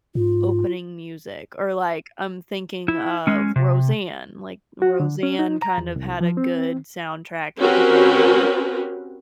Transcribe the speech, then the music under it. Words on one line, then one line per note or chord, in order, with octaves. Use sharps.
opening music. Or, like, I'm thinking of Roseanne. Like, Roseanne kind of had a good soundtrack at the beginning.
G#2 F4
E4
G#3 C#4
C3
F#4
D3
C#4
D#4
A#5
E2
C2
F3
C4
C4 C#4 F#4 G4 A#4 B4